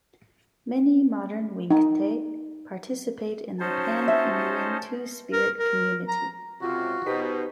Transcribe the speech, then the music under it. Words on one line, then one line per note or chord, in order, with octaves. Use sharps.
Many modern "winkte" participate in the pan-Indian Two-Spirit community.
D#4
C#4 D#4 F#4 C5 C#5 A5
E5
A#4
A#4
A#5
C#2 C3 F4 F#4
B2 D#4 G4 B4 C5 B6